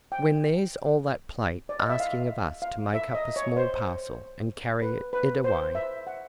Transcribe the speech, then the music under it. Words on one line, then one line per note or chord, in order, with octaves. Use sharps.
"When there's all that plate asking of us to make up a small parcel and carry it away?"
G5
D5
D#5
E5
F5
F5
E5
D#5
C#5
C5
B4
B4
C5
E5
F#5